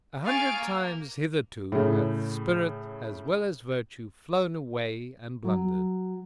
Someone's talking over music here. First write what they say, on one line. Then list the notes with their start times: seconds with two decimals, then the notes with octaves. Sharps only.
A hundred times hitherto hath spirit as well as virtue flown away and blundered.
0.24 G#4 F5 G#5 C#6 A6 D7
0.56 A#3
1.72 A2 C#3
5.44 F#3